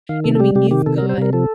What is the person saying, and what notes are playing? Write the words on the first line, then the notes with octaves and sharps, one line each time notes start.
you know, I mean, you've got,
D#3 F5
C3 A4
A4
G3 G4
C3 G4
D#3 G4
C3 A4
A#4
G3
C5
C3 A#4
F3 A4